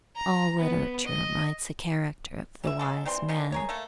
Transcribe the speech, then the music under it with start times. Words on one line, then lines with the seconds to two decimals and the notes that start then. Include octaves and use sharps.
All literature writes the character of the wise man.
0.16 A#5
0.59 B3
1.06 D#5
2.64 E3 D5 E5
2.79 F#3 G#3 A4
3.06 E3 G3 C4 C6
3.29 D3 D#3 C#4
3.52 G#4 A#4 C#5
3.69 A3 A#3 A4